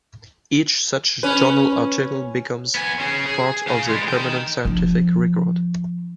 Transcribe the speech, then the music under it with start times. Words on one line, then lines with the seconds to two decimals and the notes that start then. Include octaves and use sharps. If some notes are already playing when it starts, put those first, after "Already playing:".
Each such journal article becomes part of the permanent scientific record.
1.23 C#4 B4
2.75 B3 G#5
3.00 C#4 G#4
3.26 G#4
3.68 G#4 F5
3.89 G3 G#3
4.08 D#5 G5
4.65 F3 D4